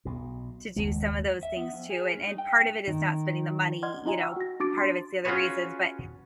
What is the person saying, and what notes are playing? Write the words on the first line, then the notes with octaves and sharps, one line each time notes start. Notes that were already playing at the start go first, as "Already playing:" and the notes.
to do some of those things too, and and part of it is not spending the money, you know, part of it's the other reasons, but
B1 B2
F#1 D#2 G#3
E5
B3
F2
G#4
G2
D#4
G5
G2
D#3
D5 D#5 F#5 C6 F6 G#6
D#4 F4 D#5 G#5 A#5
F#5 G5 C#6 E6 F6
F#4 A#6
D4 F#4 D6 A6 D7
D4 C6 A6
C#4 F4 F#4 G#4 B4 C#5